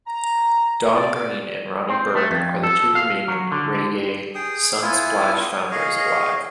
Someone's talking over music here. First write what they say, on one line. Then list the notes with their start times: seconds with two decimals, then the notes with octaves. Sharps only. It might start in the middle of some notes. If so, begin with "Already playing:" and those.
Don Green and Ronnie Burke are the two remaining Reggae Sunsplash founders alive.
0.07 A#5
0.94 D5
1.89 C4
2.15 A3
2.31 F2
2.63 A4
2.95 F5
3.28 F#3
3.52 D3
4.35 G#4 G5 D#6
4.82 B3 E4 F4 G#5
5.44 D#6
5.71 G#4 C#5 D#5 F5